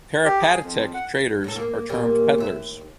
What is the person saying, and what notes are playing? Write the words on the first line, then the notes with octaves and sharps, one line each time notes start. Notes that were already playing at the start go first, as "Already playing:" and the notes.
Peripatetic traders are termed pedlars.
G4
G#4
F2
F#5
A2 A4
A#3
A#2 G3 A#3
D#2 E5